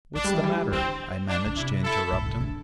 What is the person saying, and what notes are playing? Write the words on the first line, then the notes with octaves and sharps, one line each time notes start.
"What's the matter?" I managed to interrupt him.
E3 D4
G3
E3
G3
E3
D3 C4
D4
D3
C3 E4
E4 A4
A2
C3
D3